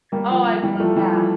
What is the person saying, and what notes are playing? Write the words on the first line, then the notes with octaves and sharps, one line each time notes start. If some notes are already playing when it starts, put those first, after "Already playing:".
Oh, I would love that.
G3 A#3
F3
F3
E3 G3
F3 A3
E3 G3
F3